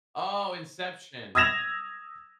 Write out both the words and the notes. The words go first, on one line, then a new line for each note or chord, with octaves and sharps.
Oh, Inception.
D#6 E6 G#6 A#6 E7 F7